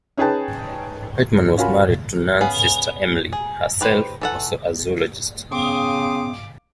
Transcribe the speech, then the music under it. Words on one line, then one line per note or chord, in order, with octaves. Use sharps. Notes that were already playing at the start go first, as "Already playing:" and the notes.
Whitman was married to Nunn's sister Emily, herself also a zoologist.
C#4 D#4 G#4 B4 G5 A5
C#4 F4 F#4 A#4 G#5 B5
B3 C#4 G#4 F5
G#4
G4 B4 C5
E3 A4 F#5
C#3 B3 F5 G5 C6 D6 D#6